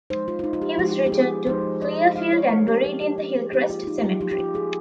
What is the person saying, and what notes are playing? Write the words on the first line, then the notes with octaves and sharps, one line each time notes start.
He was returned to Clearfield and buried in the "Hillcrest Cemetery".
F3 G#3 D#4 C5
F4
F4
D#4
F4
G4
F3 G#3 D#4 G4
G4
G#4
F3 G#3 D#4 C5
D#5
F3 G#3 D#4 F5
C#5
A#4
G4
F3 A#3 D#4 G4
G4
G4
G#4
F3 A#3 D#4 G4
F4
F4
D#4
G4
F4
F3 A#3 D#4 G4
G4
F4
G#4